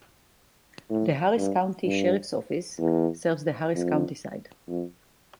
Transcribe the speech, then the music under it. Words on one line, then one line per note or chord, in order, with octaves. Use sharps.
The Harris County Sheriff's Office serves the Harris County side.
A2
G2
G2
E2
F2
F2